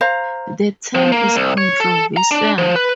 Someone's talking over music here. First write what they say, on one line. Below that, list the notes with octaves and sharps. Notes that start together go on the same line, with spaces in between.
The term is controversial.
C5 F5 A#5
F3
A#3
C2
C#5
A4
A#5
D4
F3
B4